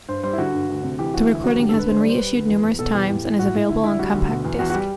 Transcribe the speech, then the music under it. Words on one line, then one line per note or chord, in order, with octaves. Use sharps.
The recording has been reissued numerous times, and is available on compact disc.
G2 C5
G3 C5
E4
D3 F#4
G2
D2
C3
E3 G4
E3 F#4
D2 E4
F#3 F#4
D3 G4
A4
D3
B4
D2 C5
D5
G3
C5
G3 B4
D2
E2
E2
B2 A4
E2 G4
A2
E3
A2 F#4
A2 E4
D2 E4
D2 E4
G3 F#4
D2
B2
E2
E2 F#4
F#4
G3 G4